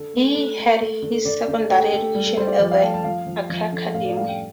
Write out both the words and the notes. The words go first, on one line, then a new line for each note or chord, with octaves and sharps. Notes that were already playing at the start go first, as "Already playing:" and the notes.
He had his secondary education at the Accra Academy.
Already playing: D3 A4
A3
A3
A3
A3
D3
D3 D5
D3
A3 G4
A3 A4
G3
A4
G3 C5
D5
F3 D5
F5
G5
A3 A5
A5
F3 F5
F3
F3
D3
A2 F5
D5
G3 F5
G5